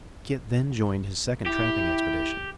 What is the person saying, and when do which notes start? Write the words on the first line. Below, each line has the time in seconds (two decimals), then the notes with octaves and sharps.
Kit then joined his second trapping expedition.
1.46 E4 G4